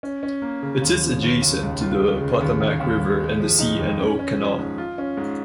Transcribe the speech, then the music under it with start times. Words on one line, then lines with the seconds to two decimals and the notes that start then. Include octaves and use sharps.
It sits adjacent to the Potomac River and the C and O Canal.
0.03 C#4
0.23 C#4
0.42 A#3
0.62 C#3
0.82 D#2
1.02 F3
1.22 D#2
1.42 D#2
1.61 C#2
1.81 F4
2.01 G#3
2.21 C#3
2.40 D#2
2.60 D#2
2.80 D#2
3.00 D#2
3.20 G#3
3.40 F3
3.59 D#4
3.79 F2
3.99 C#4
4.19 C#4
4.38 F3
4.58 G#2
4.78 F4
4.98 C#4
5.17 G#2